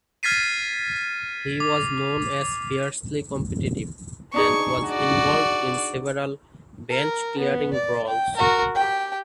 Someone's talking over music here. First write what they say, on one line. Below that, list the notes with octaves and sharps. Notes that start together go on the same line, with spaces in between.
He was known as fiercely competitive, and was involved in several bench-clearing brawls.
F6 G#6 A6 B6 C7 D#7
D6
D4 D#4 G#4 C#6
F#4 D5
A#4
B3
D5
G5
F#4 A#4
G4 G5